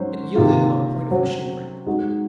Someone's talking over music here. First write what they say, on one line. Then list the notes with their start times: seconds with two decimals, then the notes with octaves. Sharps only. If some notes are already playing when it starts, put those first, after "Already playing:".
It yielded on a point of machinery.
Already playing: G#2 F#3 C#4 C5
0.35 C3 D#3 A#3 F4
1.11 F#3 C#4 F#4 C5
1.87 G#3 D#4 F#4